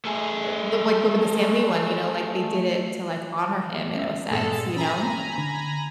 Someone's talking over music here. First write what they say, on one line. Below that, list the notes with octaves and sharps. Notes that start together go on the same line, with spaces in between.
uh like go with the Stan Lee one, you know, like they did it to like honor him in a sense, you know?
A3 G#4
C#4 E5
G2 A#2 G#3 A4 A5
C#4 G#5 A#5 B5
D3